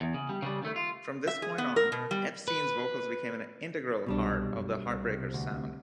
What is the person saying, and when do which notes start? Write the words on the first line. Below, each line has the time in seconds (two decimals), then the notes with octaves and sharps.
From this point on Epstein's vocals became an integral part of the Heartbreakers' sound.
0.01 E2
0.14 C#3
0.29 G3
0.42 C#3 G3
0.62 D#3 A3
0.76 F4
1.27 E5
1.42 G#4
1.58 B3
1.76 A#4
1.92 B2
2.11 G3
2.48 B4
4.06 C2 B2 G3 D4
4.53 F#2
4.83 C2 C3
5.34 D2